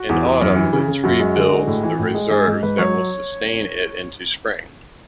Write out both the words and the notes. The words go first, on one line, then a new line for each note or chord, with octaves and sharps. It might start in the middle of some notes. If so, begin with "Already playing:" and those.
In autumn, the tree builds the reserves that will sustain it into spring.
Already playing: F#4
E2
E2
F#2
E3
C#3
C#3
F#2 F#4
G#3
D3
G#3
A2
E3
A2
G#3
G#2 G#4
G#2
G#2 B4
F#3 C#5